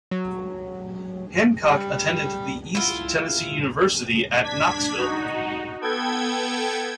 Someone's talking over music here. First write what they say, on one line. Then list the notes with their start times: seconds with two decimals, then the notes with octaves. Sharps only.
Hancock attended the East Tennessee University at Knoxville.
0.11 F#3
1.63 G3
2.75 E4 F4
4.43 D4 G#6 B6
4.98 D#4 F#4
5.81 B3 A4 G5 G#6